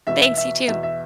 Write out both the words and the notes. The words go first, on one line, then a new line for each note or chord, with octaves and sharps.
Thanks, you too.
E2 B2 E5
E5
E5
E2 B2 E5
E5